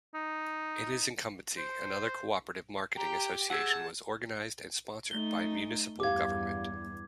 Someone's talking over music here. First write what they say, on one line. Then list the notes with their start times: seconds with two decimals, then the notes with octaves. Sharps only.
In his incumbency another cooperative marketing association was organized and sponsored by municipal government.
0.14 D#4
1.58 C5
2.96 G4 G5 A#5
3.50 G#4 F#5 A5 E6
5.11 A3 D#4 G7
6.00 E2 G2 G4 F5 D6 G#6